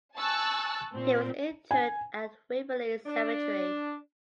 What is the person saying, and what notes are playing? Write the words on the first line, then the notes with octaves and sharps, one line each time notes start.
He was interred at Waverley Cemetery.
G#5 A5 C#6 E6 F#6 A6
A#2 C4
G#5
D4